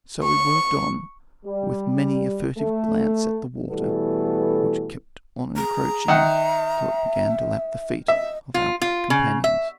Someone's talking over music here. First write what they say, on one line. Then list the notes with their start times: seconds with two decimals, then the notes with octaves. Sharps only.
So we worked on, with many a furtive glance at the water, which kept on encroaching till it began to lap the feet of our black companions.
0.22 C#6
1.45 G3
2.57 A3
3.71 B2 E3 G3 A3 B3 A4
5.56 G#4 A#5
6.08 D#3 E5 F#5
8.08 D#5 E5
8.54 F4
8.82 F4
9.10 C#3
9.44 E5